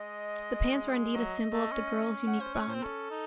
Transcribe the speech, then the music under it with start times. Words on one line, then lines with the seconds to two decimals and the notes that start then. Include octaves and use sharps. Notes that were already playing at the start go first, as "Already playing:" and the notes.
The pants are indeed a symbol of the girls' unique bond.
Already playing: G#3 D#5
1.15 F#3 D#5
1.53 A3
1.71 C#4
2.27 F#5
2.41 C5
2.55 C#5
2.69 C4 C5
2.83 C#4 A4
3.11 D#4